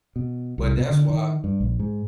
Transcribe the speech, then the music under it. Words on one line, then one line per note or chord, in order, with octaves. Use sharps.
But that's why
B2
C2
B2
D3
D#3
G2
A#1
G#2